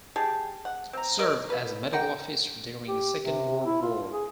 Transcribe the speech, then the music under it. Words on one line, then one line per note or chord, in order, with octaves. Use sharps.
Served as a medical officer during the Second World War.
G4 G#4 G5 A5
F#5
C4 A#5
A#4 D5 D#5
B4
G4 A#4 F#5 G5
G4
C3
E4
F4
G#4